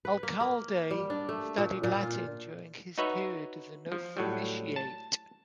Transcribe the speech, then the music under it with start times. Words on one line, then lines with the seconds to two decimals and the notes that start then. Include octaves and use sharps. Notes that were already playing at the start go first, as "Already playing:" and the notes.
Alcalde studied Latin during his period of the novitiate.
0.05 B4
0.23 A#3
0.41 A#3
0.91 G3
1.10 D4
1.29 A3
1.58 A#2
1.83 A#2
2.03 F4
2.98 D#4 F#4 B4 C#5 E5
3.92 F3
4.17 A2 F#3 G3
4.76 A5